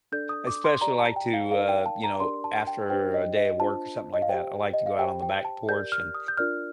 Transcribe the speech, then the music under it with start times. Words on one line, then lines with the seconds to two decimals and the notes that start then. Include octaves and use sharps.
I especially, like to, uh, you know, after a day of work or something like that, I like to go out on the back porch, and
0.12 D4 A4 D5 G6
0.29 D#6
0.47 D6
0.64 C6
0.81 G4 D5 A#5
0.99 A5
1.16 G5
1.33 F5
1.51 D#4 A#4 D5 F5
1.69 G5
1.86 A5
2.04 A#5
2.20 D4 G4 A#4 D5 C6
2.44 A5
2.67 G5
2.90 D4 G4 C5 G5
3.14 D#5
3.37 D#5
3.60 D4 F4 C5 A5
4.13 D#5
4.22 F5
4.29 G4 C5 G5
4.74 D#5
4.86 F5
4.99 G4 C5 G5
5.22 G5
5.45 A5
5.68 G4 A#4 D5 G6
5.92 F6
6.15 D#6
6.28 G6
6.37 D4 F4 A#4 D5 F6